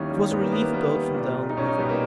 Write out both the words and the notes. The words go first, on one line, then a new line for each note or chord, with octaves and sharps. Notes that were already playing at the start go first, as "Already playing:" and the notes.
It was a relief-boat from down the river.
Already playing: D#2 D#3 G3 C#4 D#4 E4
G3
D#2 B3
A#3
D#2 B3
B3
G3 B3
G3
A#2
B1
D#4
B1 C#4
D#4
G3 B3
A#3